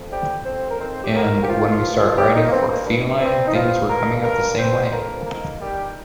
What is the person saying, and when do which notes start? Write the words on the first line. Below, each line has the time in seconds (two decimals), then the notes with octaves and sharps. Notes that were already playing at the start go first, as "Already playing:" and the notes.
And when we started writing for "Feline", things were coming out the same way.
Already playing: F2
0.11 C3 G3 G4
0.45 F2 C4 C5
0.70 A#4
0.80 D#3 C4 C5
1.04 G4
1.14 D#3 A#3 A#4
1.43 G4
1.48 D#3 F3 F4
1.72 F3 F4
1.83 G2
1.94 F3 F4
2.10 F4
2.17 D#3 G3 G4
2.35 D#3 D#4
2.47 A#3
2.51 G2 C4
2.69 A#3
2.86 G2
3.20 G2 C4
3.47 D#4
3.55 G2 F3 F4
3.89 G2 A#3 A#4
4.23 G2 A#3 A#4
4.57 G2 C4 C5
4.85 C5
4.92 F2 A#3 A#4
5.26 D#3 A#3 A#4
5.61 D#3 G3 G4